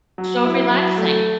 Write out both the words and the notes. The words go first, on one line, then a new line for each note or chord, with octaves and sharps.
so relaxing.
F#3
E4
F#3
A3